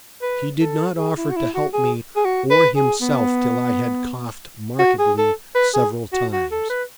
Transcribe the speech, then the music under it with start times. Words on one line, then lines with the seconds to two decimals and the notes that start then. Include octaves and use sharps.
He did not offer to help me or himself till I had coughed markedly several times.
0.22 B4
0.59 A4
0.97 G#4
1.17 E4
1.30 F#4
1.36 E4
1.55 F#4
1.73 G#4
2.16 G#4
2.25 F#4
2.51 B4
2.76 G#4
3.01 B3
4.79 F#4
4.99 G#4
5.18 A4
5.55 B4
5.74 G#4
6.13 F#4
6.33 F#4
6.51 A4
6.70 B4